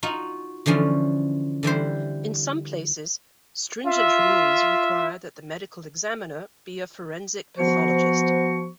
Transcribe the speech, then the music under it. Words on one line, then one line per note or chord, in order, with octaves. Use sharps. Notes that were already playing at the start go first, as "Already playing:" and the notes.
In some places, stringent rules require that the medical examiner be a forensic pathologist.
D#4 F4 F#4 F#5
D3 E3 F3 C#4
D3 E3 G3 C5
F4 E5
F3 B3 F#4 C5 C#6